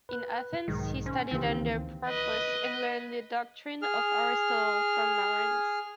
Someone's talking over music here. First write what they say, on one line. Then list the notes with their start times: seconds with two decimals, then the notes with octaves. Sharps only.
In Athens, he studied under Proclus, and learned the doctrine of Aristotle from Marinus.
0.09 B4 F#6
0.68 B1 G#2 D#3 G#3
1.06 C#4 C5
1.31 C#2 D#3 E3 A#3 C4 G4
2.07 B4 D#5
3.82 G#4 F6